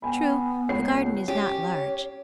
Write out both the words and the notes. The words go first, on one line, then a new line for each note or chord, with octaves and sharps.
"True, the garden is not large."
B3 G5 G#5 B5
C#2 C#5 C7
C#4 G4 C#5